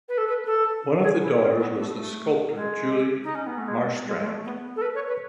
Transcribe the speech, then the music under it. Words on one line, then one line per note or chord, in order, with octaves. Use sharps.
One of the daughters was the sculptor Julie Marstrand.
B4
A4
B4
A4
G#4
E4
C#4
B3
A3
A3
G#3
D#4
C#4
B3
A3
G#3
G#3
G#3
A3
B3
A4
B4
C#5
B4